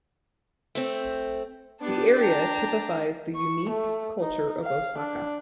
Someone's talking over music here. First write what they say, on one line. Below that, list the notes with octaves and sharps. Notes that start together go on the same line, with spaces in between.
The area typifies the unique culture of Osaka.
A3 C4
B3 D4 G4 A5
G5 A#5
C#6
A3
D#4
F5
D4